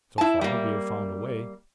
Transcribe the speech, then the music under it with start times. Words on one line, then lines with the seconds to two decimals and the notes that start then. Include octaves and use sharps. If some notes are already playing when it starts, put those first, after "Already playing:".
So far we have found a way.
0.18 E4 A5
0.41 G3 A#3